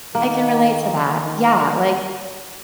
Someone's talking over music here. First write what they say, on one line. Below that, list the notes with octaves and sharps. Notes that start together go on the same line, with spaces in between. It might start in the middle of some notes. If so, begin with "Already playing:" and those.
I can relate to that. Yeah, like,
D#3 A#3